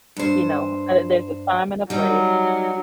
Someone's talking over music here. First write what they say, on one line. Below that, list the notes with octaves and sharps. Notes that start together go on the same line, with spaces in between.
You know, uh, there's a time and a place.
G2 C5
F#3 G3 D#4